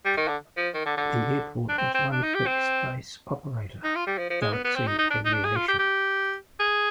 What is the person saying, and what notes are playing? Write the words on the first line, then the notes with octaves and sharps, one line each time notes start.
The airport has one fixed-base operator, Galaxy Aviation.
G3
D#3
D3
F3
D#3
D3
D3
D4
C4
C4
D4
D#4
G4
C4
D#4
F4
G3
F3
F3
G#3
B3
B3
C4
D#4
D#4
D4
D#4
D4
G#4
F4
G4
G4
G#4